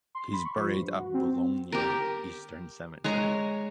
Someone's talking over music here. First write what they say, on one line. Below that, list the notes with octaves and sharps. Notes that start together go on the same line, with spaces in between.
He is buried at Boulogne Eastern Cemetery.
C6
B5
C#6
F3
G2
F#4
C4
G4 A#4
G#3 C#5 A#5